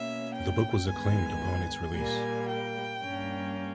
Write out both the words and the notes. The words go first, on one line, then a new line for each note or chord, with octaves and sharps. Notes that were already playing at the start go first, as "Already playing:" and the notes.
The book was acclaimed upon its release.
Already playing: B2 A#3 C#4 E5
G5
G2 D#3 G#3 B3 G#5
A#2 G3 A#3 G#5
G5
G2 G3 A#3 C#4